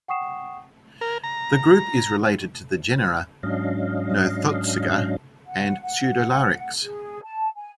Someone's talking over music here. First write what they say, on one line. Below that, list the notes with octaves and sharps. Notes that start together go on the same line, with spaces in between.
The group is related to the genera "Nothotsuga" and "Pseudolarix".
F#5 G5 C#6 D#6 C7 E7
A#4
A#5
G#2 F#3 C#4 D4 D#5 F5
F#5
F#5
G#4
A5
G#5